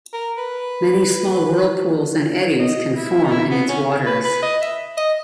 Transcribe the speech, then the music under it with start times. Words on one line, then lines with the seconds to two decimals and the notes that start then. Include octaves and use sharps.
Many small whirlpools and eddies can form in its waters.
0.13 A#4
0.38 B4
2.59 D#5
2.96 E4
3.24 D#4
3.32 E4
3.51 B3
3.69 C#4
4.06 B4
4.24 B4
4.43 D#5
4.61 E5
4.97 D#5